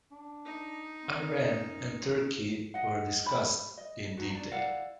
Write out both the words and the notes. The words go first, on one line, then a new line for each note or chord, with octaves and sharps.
Iran and Turkey were discussed in detail.
D4
D#4
C4
F#2
D#5 F#5
G4 C5 B5
D#5
D#4 F4 F#4
D5 A#5
E4 D5 F5 F#5